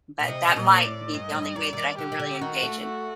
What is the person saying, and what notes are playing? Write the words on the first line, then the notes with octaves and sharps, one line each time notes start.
But that might be the only way that I can really engage in.
A#2
C3 D#5
C3
A#2
D5
A2
G2 D#5
A2
G2
F#2 D5
D3
D#3
D3 G4
D#3
D3
D#3 F#4
A3
F#4